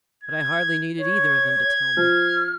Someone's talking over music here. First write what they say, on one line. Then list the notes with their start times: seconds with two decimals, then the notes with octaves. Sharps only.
But I hardly needed either of them to tell me.
0.24 G#6
0.98 C#5 G#6
1.97 F3 F6